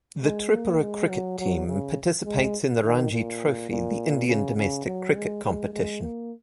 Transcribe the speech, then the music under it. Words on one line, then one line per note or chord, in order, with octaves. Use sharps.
The Tripura cricket team participates in the Ranji Trophy, the Indian domestic cricket competition.
G#3
A#3
G#3
F#3
F#3
C#3
G#3
D#3
A#2
A#2
C#3
C#3
F#3
G#3
G#3
G#3
A#3